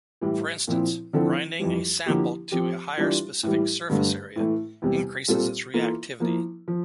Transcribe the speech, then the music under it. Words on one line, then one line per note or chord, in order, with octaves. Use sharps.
For instance, grinding a sample to a higher specific surface area increases its reactivity.
A2 E3 G3
A#2 F3 C4 E4
D3 F3 C4 E4 A4
F2 E3 G3
D3 F3 A#3 E4 G4
F3 C4 G4
E3 G3 D4 F4
A2 E3 G3
G2 D3 A3
A2 E3 A3
E2 C3 G3
A#2 G3 C4 F4 A4
E3 A#3 F4 A4
F3 A#3 E4
F3